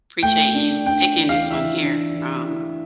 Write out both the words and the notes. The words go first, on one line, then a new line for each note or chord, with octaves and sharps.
appreciate you picking this one here, um
A3 G5
D4
D4 G5
E3
F5
E3 E5
D4
E3
E3